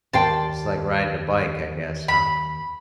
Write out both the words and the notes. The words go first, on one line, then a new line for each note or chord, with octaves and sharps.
It's like riding a bike, I guess, huh?
D#2 D5 G5 A5 C6
B5